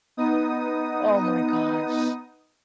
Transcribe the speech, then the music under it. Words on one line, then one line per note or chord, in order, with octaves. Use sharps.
Oh my gosh.
B3 D#4 D#6